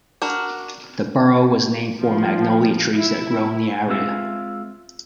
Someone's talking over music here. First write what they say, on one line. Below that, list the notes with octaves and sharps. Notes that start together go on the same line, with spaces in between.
The borough was named for magnolia trees that grow in the area.
D4 F#4 A#4
F3
E4
G#3 C4 F4 E5